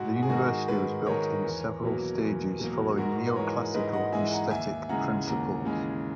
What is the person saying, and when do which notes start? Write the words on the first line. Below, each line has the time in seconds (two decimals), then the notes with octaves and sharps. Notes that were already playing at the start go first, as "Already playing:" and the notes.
The University was built in several stages, following neoclassical aesthetic principles.
Already playing: G#2 F#4
0.16 F#4
0.22 G#4
0.29 D#3 G#3 F#4 A#4
0.68 G#2 G#4 B4
1.06 D#3 G#3 A#4 C#5
1.44 E2
1.83 B2 F#3 A#3
2.21 E2
2.59 B2 F#3 A#3
2.97 G#2 F#4 A#4
3.27 B4
3.36 E3 G#3 A#4 C#5
3.74 G#2 B4 D#5
3.93 D#5 F#5
4.12 E3 G#3 E5 G#5
4.32 F#5 A#5
4.50 D#2 E5 G#5
4.89 C#3 E3 G#3 F#5 A#5
5.27 D#2 F#5 A#5
5.65 C#3 E3 G#3